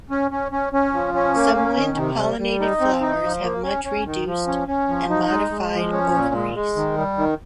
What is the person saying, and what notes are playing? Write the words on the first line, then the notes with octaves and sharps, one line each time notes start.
Some wind pollinated flowers have much reduced and modified ovaries.
C#4
C#4
C#4
C#4
F3
C#4
A#3
C#4
D#3
C3
G3
G3
D#4
C4
D#4
F3
A#3
C#4
C#4
D#3
F3
C#4
C#4
F3
D#4
G#3
G#3
F3
C#4
A#2
G#3
G#3
D#3
G3
D#3